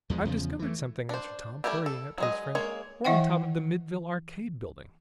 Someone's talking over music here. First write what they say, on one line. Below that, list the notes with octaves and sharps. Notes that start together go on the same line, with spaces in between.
"I've discovered something," answered Tom, hurrying up to his friend. "We're on top of the Middleville Arcade building."
E2 F3 G#3
E2 C#3 F3
E3 A3
D4 C5
G3 A3 A#3 E4 G4
A4
F#3 G#3 D#5
G#3 A#3 C#5
E3 E4 D#5 E5 F#5 G5